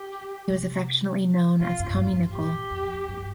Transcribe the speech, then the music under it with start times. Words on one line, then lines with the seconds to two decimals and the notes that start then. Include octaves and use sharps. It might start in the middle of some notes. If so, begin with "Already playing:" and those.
He was affectionately known as Tommy Nicol.
Already playing: G4
0.49 C3
1.60 C3 F4
1.79 G2
1.98 F2
2.16 G2
2.34 A#2 G4
2.71 F2
2.94 F2
3.08 G2